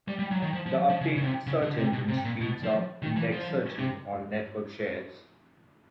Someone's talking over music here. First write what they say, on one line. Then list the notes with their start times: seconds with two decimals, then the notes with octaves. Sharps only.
The updated search engine speeds up indexed searches on network shares.
0.08 G3
0.19 G3
0.31 F#3
0.42 D#3
0.54 F3
0.66 F3
0.89 F3
1.01 C#3
1.16 C#3
1.24 C3
1.47 C#3
1.62 D3
1.78 C3
1.93 B2
2.08 C3
2.25 A#2
2.40 B2
2.63 F3
3.02 D#3
3.17 E3
3.32 F3
3.79 C3